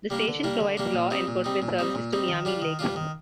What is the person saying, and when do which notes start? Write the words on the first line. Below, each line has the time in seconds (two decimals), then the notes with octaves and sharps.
The station provides law enforcement services to Miami Lakes.
0.10 G3 A#3 D4
0.28 D3
0.44 G3 A#3 D4
0.61 D3
0.77 G3 A#3 D4
0.94 A#2
1.11 G3 C4 D#4
1.27 A#2
1.44 G3 C4 D#4
1.62 A#2
1.79 G3 C4 D#4
1.95 A#2
2.13 G3 C4 D#4
2.28 D#3
2.45 G3 D4 F4
2.62 D#3
2.79 G3 D4 F4
2.96 D#3